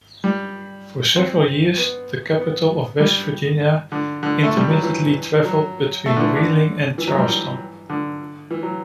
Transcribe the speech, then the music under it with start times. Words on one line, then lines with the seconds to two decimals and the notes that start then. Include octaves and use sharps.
For several years, the capital of West Virginia intermittently traveled between Wheeling and Charleston.
0.24 G3
1.16 C4
1.78 B3
2.38 B3
3.00 G3
3.92 D3
4.23 D3
4.44 A3
4.57 G3
4.70 F#3
4.83 E3
5.45 F#3
6.06 A3
6.16 D3
6.21 E3
6.36 D3
6.98 E3
7.07 F#3
7.18 G3
7.28 E3
7.90 D3
8.51 E3
8.63 F#3